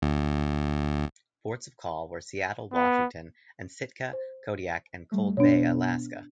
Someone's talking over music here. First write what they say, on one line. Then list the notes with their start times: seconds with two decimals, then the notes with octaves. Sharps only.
Ports of call were Seattle, Washington and Sitka, Kodiak, and Cold Bay, Alaska.
0.02 D2
2.73 B3
4.13 C5
5.12 G3 A3
5.37 B2 B3 D4 C#5